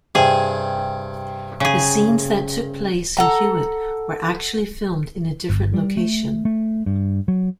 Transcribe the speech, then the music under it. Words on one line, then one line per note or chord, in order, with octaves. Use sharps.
The scenes that took place in Hewitt were actually filmed in a different location.
G2 C3 G#4
C#3 G#4
A4 F#5 A#5
G1
G3
A3
A3
G2
F#3